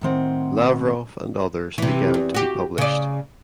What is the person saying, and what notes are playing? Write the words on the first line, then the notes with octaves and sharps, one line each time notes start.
Lavrov and others began to be published.
A2 D#3 C4 F#5
C3 E3
E2
F#4 G4
C#3 D5